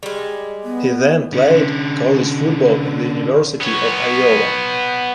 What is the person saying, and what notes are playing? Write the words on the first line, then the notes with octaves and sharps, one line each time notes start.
He then played college football at the University of Iowa.
G3 G#3
B3
D3 C#4
B3 C#5